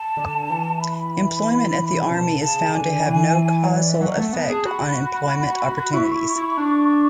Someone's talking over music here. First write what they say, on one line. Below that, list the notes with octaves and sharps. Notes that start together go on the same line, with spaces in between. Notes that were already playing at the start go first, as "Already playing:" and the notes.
Employment at the army is found to have no causal effect on employment opportunities.
Already playing: A5
D3
E3
B5
C#3
B2 A5 B5
C#3 A5
D3 G#5
E3
C#5
D5
E5
F#3 F#5
A3
B3 A5 B5
G#4
F#4 B5
E4 C#6
E4
E4
D4